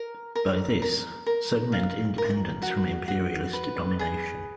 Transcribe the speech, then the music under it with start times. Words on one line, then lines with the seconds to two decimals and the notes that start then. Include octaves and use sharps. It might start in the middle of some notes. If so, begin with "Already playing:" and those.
By this, Sun meant independence from imperialist domination.
Already playing: A#4
0.35 A#4
0.82 A#4
1.26 A#4
1.72 F5
2.18 A#4
2.62 F#4
3.08 F#4
3.53 B4
3.99 G#4